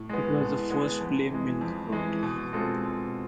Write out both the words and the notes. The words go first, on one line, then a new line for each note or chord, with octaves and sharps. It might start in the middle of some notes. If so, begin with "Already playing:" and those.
It was the first play Milne wrote.
Already playing: A2
G#3 B3
A2
G#3 B3
F2
E3 G#3
F2
E3 G#3
B2
G#3 C4 F4 A4
B2